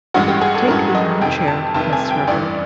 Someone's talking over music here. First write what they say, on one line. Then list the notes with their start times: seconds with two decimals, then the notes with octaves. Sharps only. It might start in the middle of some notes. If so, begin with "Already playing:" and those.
Take the armchair, Miss Herbert.
0.14 A1 G2 E3 G#3 C#4 F#4
0.28 G4
0.41 G#4
0.55 A4
0.67 A1 G2 E3 G#3 C#4 A#4
0.95 D#5
1.21 F1 F2 C3 D#3 G5
1.48 A5
1.74 F1 F2 C3 D#3 A5
1.93 G#5
2.11 G5
2.28 A1 G2 E3 D5